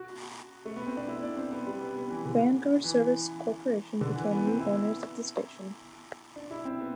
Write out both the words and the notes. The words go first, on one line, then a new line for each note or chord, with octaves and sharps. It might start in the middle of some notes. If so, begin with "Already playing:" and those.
Vanguard Service Corporation became new owners of the station.
Already playing: F#4
A3
B3
C4
D4
E4
D4
C4
B3
G3
B3
B3
E3
D3
E3
D3
E3
B3
C4
E4
D4
E4
C4
B3